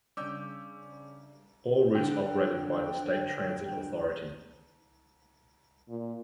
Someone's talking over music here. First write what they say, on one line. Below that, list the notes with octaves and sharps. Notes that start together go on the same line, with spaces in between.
All routes operated by the State Transit Authority.
C#3 G3 C#4 D4 D6 E6 G6
D3 G5
A#2